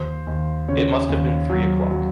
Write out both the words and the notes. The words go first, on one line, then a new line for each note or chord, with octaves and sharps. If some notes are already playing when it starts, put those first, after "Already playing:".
It must have been three o’clock.
Already playing: D#2 C5
D#2
C#3 C#5
D#2
F#3
F#3